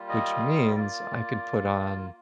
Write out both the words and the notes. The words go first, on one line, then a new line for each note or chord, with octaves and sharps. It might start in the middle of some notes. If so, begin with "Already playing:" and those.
which means I can put on,
Already playing: G3 A#3 F4
D#5
A#3 F4 D5